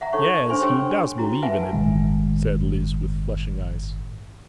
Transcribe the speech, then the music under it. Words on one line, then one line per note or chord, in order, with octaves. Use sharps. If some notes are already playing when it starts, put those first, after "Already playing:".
"Yes, he does believe in it," said Lise, with flashing eyes.
E5 F#5 A#5
D#4 A4 C#5 F#5 C#6
D4 C5 G#5 C6 C#6
G4 C#5 G5 E6
E4 F#4 A#5
B4 E5 F#5 G#5 A5
G1 A2 D#3 G#3